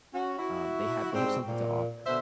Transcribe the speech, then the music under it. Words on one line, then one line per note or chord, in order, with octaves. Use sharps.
um, they have, they have something to offer.
C#4 F#4
E4 F#4
G#2 G3 C4
A#2
B2 D3 C5 E5